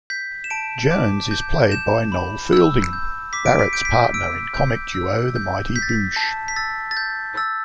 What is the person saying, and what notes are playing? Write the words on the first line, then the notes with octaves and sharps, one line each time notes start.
Jones is played by Noel Fielding, Barratt's partner in comic duo The Mighty Boosh.
G6 B6
E7
A5 D7
D6
G6
G6 E7
B5
E6
G6
D6 B6
D7
B6
G6 D7
B6
E6 D7
G6
E6
G6
G6 B6
A6
B6
A5
B6
E6 A6
A6
G6
E6 A6